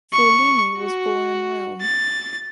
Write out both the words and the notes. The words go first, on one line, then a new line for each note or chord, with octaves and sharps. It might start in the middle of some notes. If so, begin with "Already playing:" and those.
Follini was born in Rome.
C#6
F#4
A6